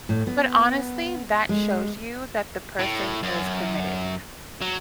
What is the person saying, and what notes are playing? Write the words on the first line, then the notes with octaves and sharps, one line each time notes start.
But honestly, that shows you that the person is committed,
A2
B3
G#3
A2
F#2
F#3